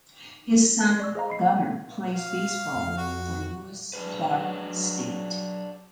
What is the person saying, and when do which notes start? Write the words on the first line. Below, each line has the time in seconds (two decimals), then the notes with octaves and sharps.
His son, Gunnar, plays baseball for Lewis-Clark State.
0.79 A5 F#6 G#6
1.00 D5 C#6 E6
1.15 G#4 C5 D#5 F5 A#5
1.30 B5 C7
2.14 F5
2.75 F2
2.98 F#4
3.93 F#3 D4 G#4 B4